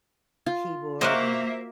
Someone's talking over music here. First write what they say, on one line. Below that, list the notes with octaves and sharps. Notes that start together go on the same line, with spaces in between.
keyboard and
F4
A#3 F#4 A#4 C5 D#5 E5 D6